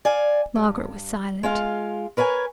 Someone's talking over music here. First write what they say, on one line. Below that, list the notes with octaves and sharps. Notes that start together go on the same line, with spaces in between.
Margaret was silent.
D5 F5 G#5
G2
G#3 F4 F5
A#4 B4 C#5 F#5 G#5